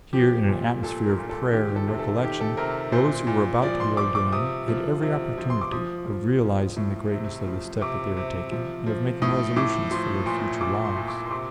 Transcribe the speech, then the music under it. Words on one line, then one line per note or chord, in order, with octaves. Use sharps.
Here, in an atmosphere of prayer and recollection, those who were about to be ordained had every opportunity of realizing the greatness of the step that they were taking and of making resolutions for their future lives.
F3 G4
A#2
A#2 A4
A#4
A#2
A4
D#3 G4
A4
C3
A4
D#3 G4
A4
C3 A#4
A#2 C5
A#2
F3 D5
C6
F3 D6
D6
C3 D#6
F3
C3
F3
C6
D6
F3 D#6
F3
F3
A2
C3
F3
C3 D6
C3
F3
F3
A2 D#6
A2 D6
F3 C6
A#2 C6
A#2 D6
C6
A#2
D6
C6
C3 D6